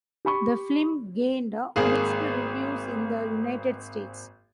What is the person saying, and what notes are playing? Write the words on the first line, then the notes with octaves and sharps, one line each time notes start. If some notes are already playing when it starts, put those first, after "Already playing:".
The film gained mixed reviews in the United States.
G4 B5 C#6
G#1 A#3 G#4